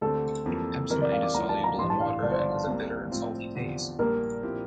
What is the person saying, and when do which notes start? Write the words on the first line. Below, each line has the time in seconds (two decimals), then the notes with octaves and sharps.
Epsomite is soluble in water and has a bitter and salty taste.
0.01 D2 D3 A3 C4 G4 A4
0.46 F2 E3 G3 A#3 F4
0.90 F2 E3 G3 C4 A#4
1.01 D5
1.12 F5
1.23 D6
1.34 D2 D3 F3 A#5
1.49 A5
1.64 A#5
1.78 A1 G2 E3 G3 D4 C6
1.90 A5
2.00 F5
2.22 G1 G2 D3 F3 D5
2.31 C5
2.38 D5
2.67 C2 C3 G3 A#3
3.11 A2 F3 C4 F4
3.55 E2 D3 F3 C4 G4
3.99 A#1 A#2 G3 A#3 A#4
4.43 A#2 F3 C4 E4 G4